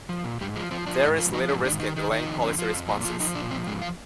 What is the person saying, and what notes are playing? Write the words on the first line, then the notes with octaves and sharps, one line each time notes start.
There is little risk in delaying policy responses.
F3
A#2
G#2 G3
F3 G#3
F3 C4
F3 D4
G#2 D#4
F3 F4
F3 D#4
G#2 D4
D#3 D4
D#3 D#4
D#3
D#3 D#4
F2
D3
F3
F2
A#2 D#4
F3 F4
F3 D#4
A#2 D4
F3 C4
G#2 G#3
F4